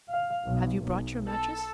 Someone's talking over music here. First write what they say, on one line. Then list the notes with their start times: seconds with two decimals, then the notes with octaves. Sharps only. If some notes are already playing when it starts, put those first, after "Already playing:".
Have you brought your mattress?
0.10 F5
0.46 B1
0.82 B1
1.27 A4